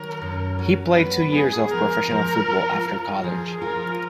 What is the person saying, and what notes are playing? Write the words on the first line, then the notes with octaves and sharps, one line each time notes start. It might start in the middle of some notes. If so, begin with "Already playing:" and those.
He played two years of professional football after college.
Already playing: D#3 F#3 A#4
F#2
F#3
B3 B4
B3 G#4
F3 A#4
F3
F4
F4
F3 G#4
F4 A#4